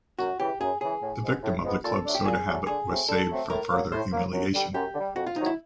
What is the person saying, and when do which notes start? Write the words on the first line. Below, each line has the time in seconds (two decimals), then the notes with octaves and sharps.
The victim of the club soda habit was saved from further humiliation.
0.19 F#2 F#4
0.39 C#3 E3 G4
0.60 F#2 G#4
0.81 C#3 E3 G#4
1.02 A2
1.22 F3 G#3 B3
1.43 A2
1.63 F3 G#3 B3
1.84 A#2 A4
2.05 F#3 A3 D4
2.15 G4
2.25 A#2 G#4
2.47 F#3 A3 D4
2.67 D3 G#4
2.88 F#3 A3 C4
3.08 D3 A4
3.30 F#3 A3 C4
3.50 A2 A#4
3.70 F#3 A#3
3.92 A2 C5
4.13 F#3 A#3
4.33 F#2
4.53 D3 G3
4.74 F#2 G4
4.94 D3
5.00 G3
5.16 F2 F#4
5.27 F4
5.36 C3 D#3 F#3 D#4
5.46 E4